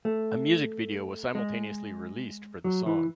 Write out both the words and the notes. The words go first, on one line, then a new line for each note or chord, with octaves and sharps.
A music video was simultaneously released for the song.
A3
G#3
F#3
E3